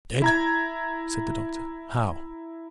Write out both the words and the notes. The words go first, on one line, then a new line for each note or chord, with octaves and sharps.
"Dead!" said the doctor, "how?"
E4 A#5 G#6